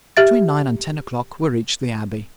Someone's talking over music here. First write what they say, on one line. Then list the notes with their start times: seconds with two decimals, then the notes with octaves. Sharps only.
Between nine and ten o'clock we reached the Abbey.
0.17 G4 E5 A6